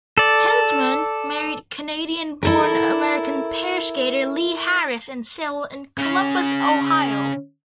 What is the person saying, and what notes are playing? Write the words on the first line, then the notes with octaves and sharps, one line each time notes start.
Hinzmann married Canadian-born American pair skater Lee Harris and settled in Columbus, Ohio.
A4 D5
E4 A4 A#4
C#3 C#4